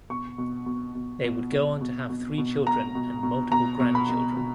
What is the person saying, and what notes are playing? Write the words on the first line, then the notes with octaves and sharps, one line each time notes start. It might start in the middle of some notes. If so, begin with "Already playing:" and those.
They would go on to have three children and multiple grandchildren.
B2 C#6
B2
B2
B2
B2
B2
B2
B2
B2
B2 A#5
B2
B2
B2 A#5
B2
B5
B2
B2